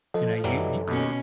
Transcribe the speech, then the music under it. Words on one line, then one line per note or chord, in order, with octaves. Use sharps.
you know you you
F3 A4 D#5
F#2 E3 F#3 G3
D#2 B2 C#4